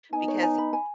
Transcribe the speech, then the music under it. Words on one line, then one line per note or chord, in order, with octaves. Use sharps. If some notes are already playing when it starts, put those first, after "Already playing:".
because he
B3 D#4 G#5
C#5
G#5
B5
G#5